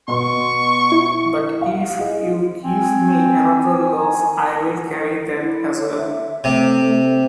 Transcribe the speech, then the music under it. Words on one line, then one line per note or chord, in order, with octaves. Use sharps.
But if you give me another loaf I will carry that as well.
B2 B3 C6 C#6
E4
F5 F#5
G#4 D#5
C4 G#5
E4
C#5
E5
C3 A3